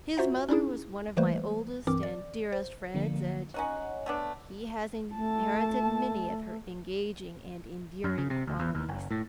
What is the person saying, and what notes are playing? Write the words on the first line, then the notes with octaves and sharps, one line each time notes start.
His mother was one of my oldest and dearest friends, and he has inherited many of her engaging and endearing qualities.
F4 F#4 C5 E5 F#5 A#5
C#4 D#4 E4 G#4
E3 G3 A3 A#3 B4 C5
C2 G2 E3 C4 A#4 D6
D5
C5
D3 F3 A#3
C#4 D#4 F#4 C#5 F#5
A3 B3 D4
A3 A5
F#2
C#3
C3
D2
E2
D#2
F#1
A2